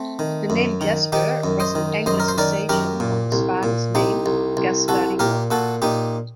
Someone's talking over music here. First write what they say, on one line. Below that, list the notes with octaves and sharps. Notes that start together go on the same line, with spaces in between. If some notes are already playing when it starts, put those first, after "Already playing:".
The name Jasper was an anglicisation of his father's name, Gasparino.
Already playing: A3 C4
D#3
F#2
D#3
D#3 D#4 G4
F#2
C5 D#5
D#3
F#2 C5 D#5
A#4
C5
D#3 A#4 D5
F#2 G4 A#4
A#2
C2
A#2
C2 D#4 G4
C2
C2
C2 F#4 A4
A#2 G4 A#4
A#2 F#4 A4
A#2 D#4 G4